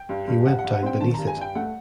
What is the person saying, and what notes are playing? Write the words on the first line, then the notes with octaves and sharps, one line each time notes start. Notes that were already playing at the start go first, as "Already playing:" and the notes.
He went down beneath it.
Already playing: G5
G2
G2
G2 F#5
F#5
G2
F#5
C4 G5
D#3 A5
G2 A#5
G#5
G2 G5
A3 F#5